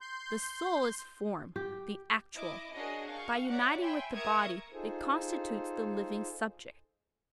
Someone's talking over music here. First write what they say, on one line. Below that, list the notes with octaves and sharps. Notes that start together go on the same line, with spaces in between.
The soul is form, the actual. By uniting with the body it constitutes the living subject.
C6 G6
G4
E4 D#5 D6
D4 F#4 G#4 A#4 C#5 D#5
F5 G5 C#6
C#5 D5 E5 F#5 A#5 D6
E5 G5 G#5 B5 C6
A#4 E5 A#5 C#6 D#6 G#6
D#4 F4 G#4 A4 C5